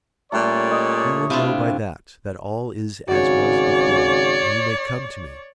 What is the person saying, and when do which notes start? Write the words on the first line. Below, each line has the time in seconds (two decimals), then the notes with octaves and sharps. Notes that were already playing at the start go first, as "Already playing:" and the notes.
You will know by that that all is as was before, and you may come to me.
0.32 A#2 G3 A3 C#4 C#5 D5
0.71 D#5
1.30 C3 D4 E4 F4 F5
3.08 G#1 C#3 F#4 C#5 D5